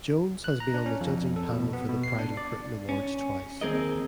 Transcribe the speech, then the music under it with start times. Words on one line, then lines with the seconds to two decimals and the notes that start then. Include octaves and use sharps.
Jones has been on the judging panel for the Pride of Britain awards twice.
0.44 F#6
0.60 A#5
0.74 D4
0.86 C#4
1.01 F2
1.36 A4
1.52 B2
1.73 B3
1.88 B2
2.04 C7
2.19 D4
2.37 D5
2.89 C#4
3.61 D#2 C4 G#4 A#4 D#5